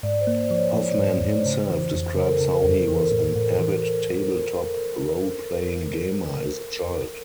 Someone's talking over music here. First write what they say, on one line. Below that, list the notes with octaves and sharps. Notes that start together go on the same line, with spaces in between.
Hoffman himself describes how he was an avid tabletop roleplaying gamer as a child.
G#2 D5
C5
A#3
C5
F3
C#5
F3
G#2
G#2
C#3 C5
E3
F2
C#3 A#4
A4
A#4
C#3
F2
E3
A2
A2
E3